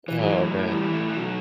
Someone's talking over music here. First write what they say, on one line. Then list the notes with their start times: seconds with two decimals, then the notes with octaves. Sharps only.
Oh man.
0.08 E3
0.19 E3 F#3
0.35 A2
0.51 A2
0.67 E3 G3
0.84 E3
0.92 A3
1.01 A2
1.09 E3
1.17 B2 F#3